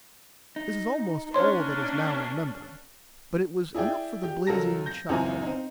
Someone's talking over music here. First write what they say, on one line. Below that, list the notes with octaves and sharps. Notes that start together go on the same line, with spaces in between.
This is almost all that is now remembered, but it was enough for the blazing child.
D#4
A#3 C#4 D4 C5 C#5 C6
E4 G#4 D5 G5
G4
C#2 F#3 A4 A#4 A5 A#6
G6 A#6
C#2 F#2 E3 C4 G#5 A#5
C4 D#4